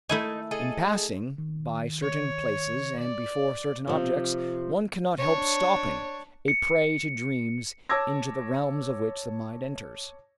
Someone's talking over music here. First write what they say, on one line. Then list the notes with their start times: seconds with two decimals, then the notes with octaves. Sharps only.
In passing by certain places and before certain objects one cannot help stopping--a prey to dreams into the realms of which the mind enters.
0.09 A3 D#4 E4 G#5
0.51 G#4 A4 D#5
1.38 D#3
2.02 C#5
3.01 D5
3.87 C3 F3
5.19 D4 C#5
6.48 C#7
7.89 C#5 A5 D6 E6 G#6 A#6